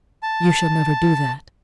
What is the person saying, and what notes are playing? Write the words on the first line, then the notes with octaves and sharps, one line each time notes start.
"You shall never do that."
A5